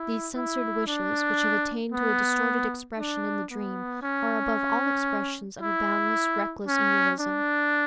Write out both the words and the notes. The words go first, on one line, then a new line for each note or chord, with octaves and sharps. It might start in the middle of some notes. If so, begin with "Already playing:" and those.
These censored wishes which have attained to a distorted expression in the dream, are above all expressions of a boundless, reckless egoism.
Already playing: E4
E4
D4
B3
D4
B3
C#4
E4
C#4
D4